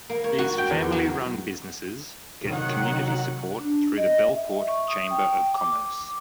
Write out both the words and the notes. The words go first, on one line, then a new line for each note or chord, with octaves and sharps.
These family run businesses get community support through the Bellport Chamber of Commerce.
A#3
C#5
F#4
G5
E2
F#3
C3 D#3 F#3 C4 F#5
D4
D#5
E5
C#6
D#6
G5
D6